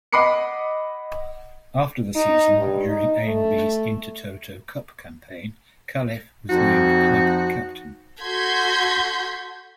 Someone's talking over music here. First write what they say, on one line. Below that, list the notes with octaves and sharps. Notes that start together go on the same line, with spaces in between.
After the season, during AaB's Intertoto Cup campaign, Califf was named club captain.
D#5 F#5 B5 D6 C7 C#7
D#4
G2
D#4
A3
F2 F3 D#4 F#4
F#4 A4 C6 G6 G#6 B6